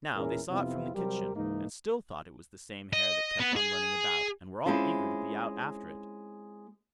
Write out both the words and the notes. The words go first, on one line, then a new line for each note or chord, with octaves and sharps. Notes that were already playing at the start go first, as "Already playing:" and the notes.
Now, they saw it from the kitchen, and still thought it was the same hare that kept on running about, and were all eager to be out after it.
E2 A#2 C#4 E4 G#4 A#4
F2 C3 B3 C4 E4 F4
C3 F#3 G3 G4 A#4 C5
C#2 G#2 E3 A#3 D#4
D#5
B3
G#4
G#3 C4 C#4 E4 F4